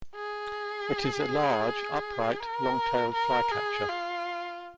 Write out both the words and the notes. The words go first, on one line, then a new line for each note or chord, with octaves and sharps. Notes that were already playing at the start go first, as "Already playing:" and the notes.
It is a large upright long-tailed flycatcher.
G#4
A#4
A#4
G#4
F4